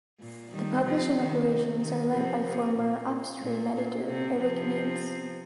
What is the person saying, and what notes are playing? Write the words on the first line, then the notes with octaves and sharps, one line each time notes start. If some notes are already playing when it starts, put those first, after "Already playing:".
The publishing operations are led by former "Upstream" editor Erik Means.
A#2
D#3 G3
C3 F3
D#3
C3
D#3
C3 F3
C3
A#2
A#2
A#2
C3
C3 F3